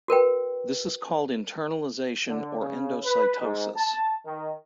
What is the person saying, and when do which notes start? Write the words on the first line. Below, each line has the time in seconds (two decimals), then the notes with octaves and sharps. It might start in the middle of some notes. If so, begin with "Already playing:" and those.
This is called internalization or endocytosis.
0.08 F#4 A#4 B4 G5
2.28 D3
2.59 C#3
3.05 B4
3.41 G#2
3.76 A5
4.25 D#3